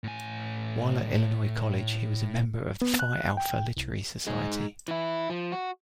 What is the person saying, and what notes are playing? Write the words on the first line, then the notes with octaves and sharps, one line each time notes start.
While at Illinois college he was a member of the Phi Alpha Literary Society.
A2 G#5
B3
F#6
G5
C2
G#3 D#4
E3 E4
F3
F#4